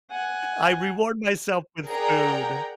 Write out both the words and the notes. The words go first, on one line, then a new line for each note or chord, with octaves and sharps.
I reward myself with food,
F#5 G#5
G#4 A#4 D5 F#5 G5 A#5